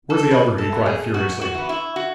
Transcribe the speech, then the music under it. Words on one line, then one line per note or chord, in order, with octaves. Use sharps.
"Where's the Elder?" he cried furiously.
A4
F#2 B4
A4
E3 B3
G#4
F#2 F#4
F#4
E3 B3
E4
F#4